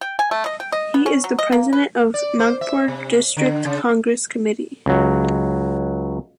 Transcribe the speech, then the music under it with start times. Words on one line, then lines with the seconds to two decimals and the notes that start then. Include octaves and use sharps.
He is the President of Nagpur District Congress Committee.
0.01 G5
0.19 G#5
0.31 A3
0.46 D#5
0.60 G5
0.72 D#5
0.94 B3
1.06 C#4
1.24 F#3
1.39 D#5
1.52 A#3
1.73 B4
2.14 D5
2.39 C5
2.61 E5
2.88 C3
3.37 D3
3.65 C#3
4.86 C#2 F#3